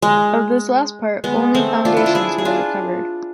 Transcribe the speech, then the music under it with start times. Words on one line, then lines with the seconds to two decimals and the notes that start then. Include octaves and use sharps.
Of this last part, only foundations were recovered.
0.02 G#3
1.24 G#3 B3
1.55 A3 C4
1.85 D4 F4
1.97 E4
2.06 F4
2.15 E4 G#4
2.38 G#4
2.45 D4 F4